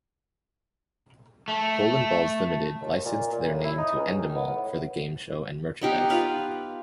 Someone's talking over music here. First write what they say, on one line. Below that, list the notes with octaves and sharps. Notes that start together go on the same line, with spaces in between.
Golden Balls Limited licensed their name to Endemol for the game show and merchandise.
A3
D#2
A#2
A#2
A2
E4
D#4
C#2
D#3
B3
A2
B3 D#4 G4 F5
F4 B4 F5